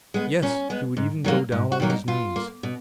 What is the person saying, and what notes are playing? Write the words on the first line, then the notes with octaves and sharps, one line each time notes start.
"Yes, he would even go down on his knees."
G#3 B3
A#2 C#4
G#3 B3
G#2
D#3 F#3 A#3
G#2
F#4
D#3 F#3 A#3
D#4
B2 F4
A#3
B2